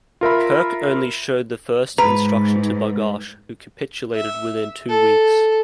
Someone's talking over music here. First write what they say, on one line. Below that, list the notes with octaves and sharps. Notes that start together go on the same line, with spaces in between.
Kirk only showed the first instruction to Barghash, who capitulated within two weeks.
F4 A#4 E5 B5
G#2 B4 A#5
E5
A4